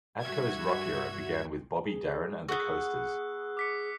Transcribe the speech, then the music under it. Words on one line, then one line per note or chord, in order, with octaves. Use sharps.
Atco's rock era began with Bobby Darin and The Coasters.
G2 F#4 E5 G#6
G#4
B3 F#4 G#4 E6 F#6
D6 B6 C#7